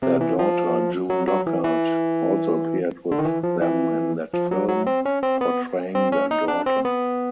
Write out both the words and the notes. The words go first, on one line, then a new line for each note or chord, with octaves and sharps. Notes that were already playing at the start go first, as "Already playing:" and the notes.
Their daughter, June Lockhart also appeared with them in that film, portraying their daughter.
C3
E3
F3
F#3
F#3
E3
E3
D3
D#3
E3
F3
E3
F3
F#3
F#3
C4
C#4
C4
B3
C4
C#4
D#4
D4
C4
B3